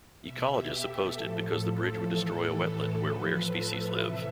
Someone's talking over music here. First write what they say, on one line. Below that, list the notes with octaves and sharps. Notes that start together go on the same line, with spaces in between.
Ecologists opposed it because the bridge would destroy a wetland where rare species live.
B2 E5
G4
A4
A2 F3
A2 E3
A2 F3 B4
A4
E5
C3 E3